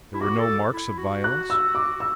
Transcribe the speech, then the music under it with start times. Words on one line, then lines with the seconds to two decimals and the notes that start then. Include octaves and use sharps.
"There were no marks of violence?"
0.14 E4
0.21 F#4 D6
0.39 A4
0.73 E4
0.98 F#4
1.24 F#6
1.50 E6
1.75 D6
2.00 E6